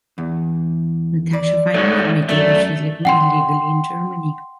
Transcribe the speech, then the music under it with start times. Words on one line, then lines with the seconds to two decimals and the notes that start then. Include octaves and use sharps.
Natasha finally admitted that she is living illegally in Germany.
0.18 E2
1.33 D5
1.74 G#2 A3 C#5
2.29 F#2 A3 D5 E5
3.05 F#5 G5 C6